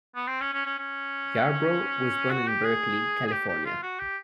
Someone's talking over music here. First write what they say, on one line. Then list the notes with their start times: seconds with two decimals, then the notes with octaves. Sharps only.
Yarbro was born in Berkeley, California.
0.15 B3
0.27 C4
0.40 C#4
0.53 C#4
0.66 C#4
0.79 C#4
2.30 F#4
2.47 G4
2.64 G#4
3.27 G#4
3.32 G4
3.49 G4
3.66 F4
3.83 F#4
3.99 G4